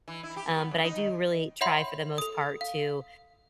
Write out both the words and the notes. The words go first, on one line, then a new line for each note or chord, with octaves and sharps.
Um, but I do really try for the most part to,
E3
E4
G4
B3
F#2
D#4
D#3
C#5 E5 F#5 B5 C6
A4 D#6
F5